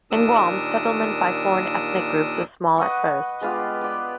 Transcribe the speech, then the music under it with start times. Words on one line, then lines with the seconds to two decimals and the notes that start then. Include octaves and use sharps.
In Guam, settlement by foreign ethnic groups was small at first.
0.11 D#2 A#2 D4 A#4 D#6 E6
2.78 B4 D#5 F#5 C#6
3.41 G#3 B3 F4 G4
3.81 D5 G5